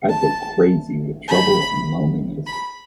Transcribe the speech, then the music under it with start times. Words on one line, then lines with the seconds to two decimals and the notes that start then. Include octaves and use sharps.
I’d go crazy with trouble and loneliness.
0.09 A5
1.28 B5
2.46 B5